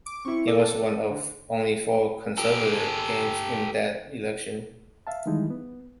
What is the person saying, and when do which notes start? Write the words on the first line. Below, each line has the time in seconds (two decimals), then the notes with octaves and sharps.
His was one of only four Conservative gains in that election.
0.06 D6
0.25 C4 E4 C#6
0.47 A4 D5
1.10 D3
2.38 G4 A4
5.07 E5 F5 A5
5.26 D#3 E3 G3 G#3 D#4 E4
5.50 B3